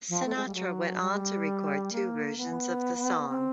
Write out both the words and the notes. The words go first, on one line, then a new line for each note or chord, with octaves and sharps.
Sinatra went on to record two versions of the song.
F3
A3
G#3
G3
F#3
G3
A#3
B3
C4